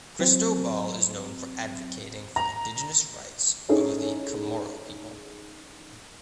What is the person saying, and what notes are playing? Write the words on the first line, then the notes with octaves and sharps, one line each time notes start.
Cristobal is known for advocating for indigenous rights of the Chamorro people.
F#3 C4
A#5
C#4 D#4 E4 G#4 A4 C#5